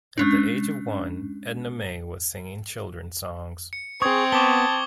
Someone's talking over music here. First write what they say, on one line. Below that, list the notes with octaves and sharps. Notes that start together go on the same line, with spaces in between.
At the age of one, Edna Mae was singing children's songs.
G#3 C#4 D4
C#7
C4 G#4 C#6 D#6 G#6
B3 A5 C#6 D6 G7